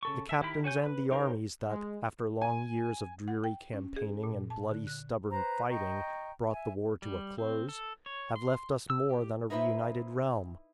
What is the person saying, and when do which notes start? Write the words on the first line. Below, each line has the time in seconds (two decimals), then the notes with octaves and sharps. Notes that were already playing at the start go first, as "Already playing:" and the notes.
The captains and the armies that, after long years of dreary campaigning and bloody, stubborn fighting, brought the war to a close, have left us more than a reunited realm.
0.03 C#3 A4 C#6
0.29 E5
0.41 D#3 E4 G4 A#4 B5
0.64 F#4 C#5 G#5 G6
0.84 B4 B5
1.11 D#4 G4 A#4 C5 C#5
1.67 G#3
2.42 G#5
3.28 F#5
3.44 G5
3.73 C#4
3.96 G#4
4.24 A#2
4.50 A5
4.71 D3
4.87 F#6
5.31 B4 C5 A#5
5.69 D#5 G5 A#5 C#6
6.51 E5 G#5
7.02 G3
7.38 C4
7.69 A4
8.06 C#5
8.36 C6
8.90 E6
9.11 G4
9.50 D#4 E4 B4 C5 E5